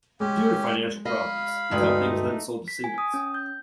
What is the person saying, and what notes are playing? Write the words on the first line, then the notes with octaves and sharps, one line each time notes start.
Due to financial problems, the company was then sold to Siemens.
G#3 C#4 G4
D#5 F5 B5
D2 G2 G#3 A3 D#4
B6
G#5
D#6
C#4
G6